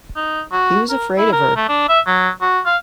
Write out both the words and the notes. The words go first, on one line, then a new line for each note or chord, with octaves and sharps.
He was afraid of her.
D#4
F#4
A#4
E4
A#4
A3
D4
E5
F#3
F#4
F5